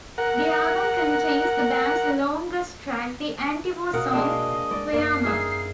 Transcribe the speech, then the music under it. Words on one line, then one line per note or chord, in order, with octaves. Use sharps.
The album contains the band's longest track, the anti-war song "Kuiama".
A#4 F#5
F5
B2 A#4 D#5 F#5
G#3 A#3 D4
G#3 D5
F#2 A#3 D5 E5 F5 C7
D#4 G#4 E5 F5